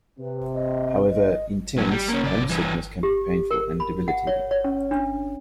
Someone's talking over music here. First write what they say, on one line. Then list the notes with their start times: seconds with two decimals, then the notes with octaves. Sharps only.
However, intense homesickness can be painful and debilitating.
0.19 C3 B4
0.54 D#5
1.09 D#5
1.77 A#2 F#3
1.91 G3
2.08 A#3 C#4
2.23 C#3 D5
2.50 G2 E3
3.03 G4
3.51 A#4
3.80 B5
4.08 F#5
4.27 C#5
4.51 C#5
4.64 C#4
4.91 D4